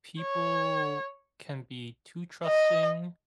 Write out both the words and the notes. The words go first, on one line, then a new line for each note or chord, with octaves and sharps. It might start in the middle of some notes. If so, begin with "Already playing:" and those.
people can be too trusting,
C#5
D#5